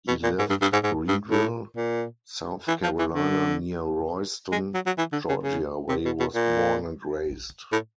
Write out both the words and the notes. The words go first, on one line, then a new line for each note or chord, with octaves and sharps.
He lived Greenville, South Carolina, near Royston, Georgia, where he was born and raised.
B2
A#2
G#2
G2
G2
G#2
G#2
G2
A2
A#2
E3
F3
E3
D3
G#3
F#3
F#3
E3
D3
C#3
C#3
C3
B2
B2
A#2
A2